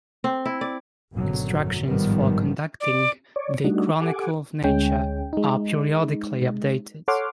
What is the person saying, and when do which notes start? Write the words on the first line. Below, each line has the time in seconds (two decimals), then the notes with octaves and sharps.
Instructions for conducting the Chronicle of Nature are periodically updated.
0.24 C4
0.46 E4
0.61 D5
1.13 G#1 F#2 B2 D3 F#3
1.84 A1 G#2 D#3 F3 G3 B3
2.80 D5
3.36 C#5 D5
3.64 G3 A3 D4 D#4 F#4
4.00 G4 A4 F#5 G#5 D6
4.64 D2 G#3 C#4 G5
5.33 G#3 D#4
7.08 A4 C#5 F#5 C6 D6 F6